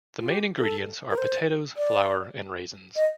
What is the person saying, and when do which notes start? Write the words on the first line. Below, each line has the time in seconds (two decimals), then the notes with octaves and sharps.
The main ingredients are potatoes, flour and raisins.
0.20 F4
0.29 G4
0.58 A4
1.10 A#4
1.18 C5
1.77 D5
2.96 D#5